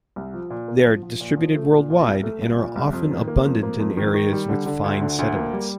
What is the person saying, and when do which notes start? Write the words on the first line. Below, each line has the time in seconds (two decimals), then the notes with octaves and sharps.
They are distributed worldwide, and are often abundant in areas with fine sediments.
0.16 C2
0.33 F3
0.50 A#2
0.68 A#3
0.85 F3
1.03 F3
1.20 A#2
1.37 F3
1.55 A3
1.71 A#2
1.90 A#2
2.07 C2
2.24 A3
2.41 C2
2.58 A#2
2.76 C2
2.93 F2
3.11 D#3
3.28 A#3
3.45 F2
3.63 A#3
3.80 F2
3.97 D#3
4.14 D#3
4.32 G3
4.49 D3
4.66 D3
4.84 D2
5.01 D3
5.19 D2
5.36 A#3
5.53 G3